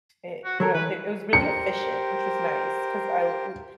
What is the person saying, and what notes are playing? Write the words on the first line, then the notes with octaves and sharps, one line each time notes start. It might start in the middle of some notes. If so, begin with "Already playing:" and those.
it, you know, d it was really efficient, which was nice 'cause I l l
F#4
F#3 A4 A#4 C#5
E3 B4
G4 A#4 C5 C#7